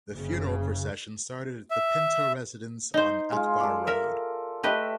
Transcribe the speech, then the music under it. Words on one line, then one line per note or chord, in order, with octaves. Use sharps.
The funeral procession started at the Pinto residence on Akbar Road.
F#1 C#3
E5
D#4 C5
G#3 F4
A4 D5
A#4 E5
A3 G4 B4 D#5 E5